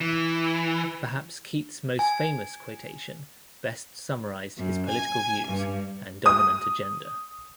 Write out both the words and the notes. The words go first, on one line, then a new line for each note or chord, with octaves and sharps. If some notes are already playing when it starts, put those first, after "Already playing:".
Perhaps Keitt's most famous quotation best summarized his political views and dominant agenda.
E3
G#5
F#2
G#5
G2
D#6